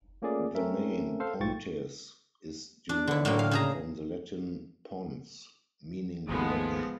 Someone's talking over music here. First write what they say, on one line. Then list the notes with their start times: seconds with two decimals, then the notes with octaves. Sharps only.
The name "Pontis" is derived from the Latin "pons," meaning bridge.
0.22 A3 A#3 C#4 F4 G#4 D5
0.55 A3 C4 C#4 A4 A#4 E5
1.20 A4 C5 F5
1.40 B1 G#2 F4 G5 C#6 A6
2.89 D4
3.08 D3 E4
3.25 A2 D3 F#3 A#3 G5
3.39 F5
3.51 C#3 G#4 A#5
6.29 G#1 D#2 F3 G#3 A3 B3